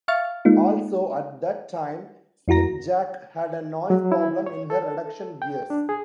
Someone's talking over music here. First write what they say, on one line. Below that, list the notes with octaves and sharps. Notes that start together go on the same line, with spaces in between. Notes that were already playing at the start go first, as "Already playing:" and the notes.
Also, at that time, "Skipjack" had a noise problem in her reduction gears.
E5 F5 C#6 F6 A6
G#3 A#3 D#4 F4
F2 E4 F#4 A#5 A#6
F#3
E4
C#5
A4
G5
D4
G#4